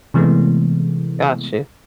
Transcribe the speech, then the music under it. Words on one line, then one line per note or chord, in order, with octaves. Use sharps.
Got you.
C3 E3 G#3 A3 B3